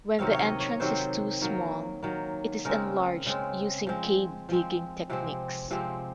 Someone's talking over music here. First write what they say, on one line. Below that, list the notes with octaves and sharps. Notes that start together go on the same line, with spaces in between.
When the entrance is too small, it is enlarged using cave digging techniques.
C3 D#3 F#3 C4 F5
C#5
D#5
C#5
C3 D#3 F#3 C4 C5
D#3 F#3 A#3
D#3 F#3 A#3
C#3 G#3 C4 A#4
C#3 G#3 C4
F3 G#3 C4
F3 G#3 C4
C3 F3 G#3 C4
C3 F3 G#3 C4